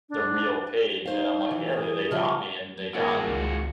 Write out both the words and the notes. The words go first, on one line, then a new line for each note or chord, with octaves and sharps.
the real page," and I'm like, yeah, th they got me and they got
D4
D#4 C5 F5
E3
G#4
C#3 F3 G3 E5
G2 D#3 A#3 F4 F#4 G#4
G#1 C#2